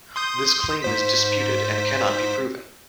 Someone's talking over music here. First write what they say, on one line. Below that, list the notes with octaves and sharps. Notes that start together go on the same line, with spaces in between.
This claim is disputed and cannot be proven.
C6 D#6 G6
G#2 C5 B6